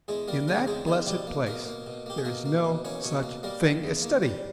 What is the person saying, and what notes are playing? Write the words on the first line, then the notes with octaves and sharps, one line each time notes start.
In that blessed place there is no such thing as study.
E2 G#3 G#4
G3 A#3 A#4
C#3 A#3 A#4
E2 G#3 G#4
E2 D#3 D#4
B2 G3 G4
A#3
B2 A#3 A#4
A#3
B2
A#3 G4
G#4
B2 A#3 A#4
A#3
B2
A#3 C#4 C#5
B2 C#4 C#5
A#3
G3 A#3 A#4
D#3
E2
A#3
G3